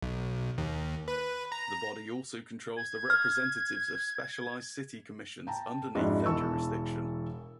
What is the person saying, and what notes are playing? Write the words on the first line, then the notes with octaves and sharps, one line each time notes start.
The body also controls the representatives of specialized city commissions underneath their jurisdiction.
B1
D#2
B4
A#5
G#6
F6
G5 A5 A#5
F2 G#2 D4 E4 F#4
E1 E3 A5 C#6 E6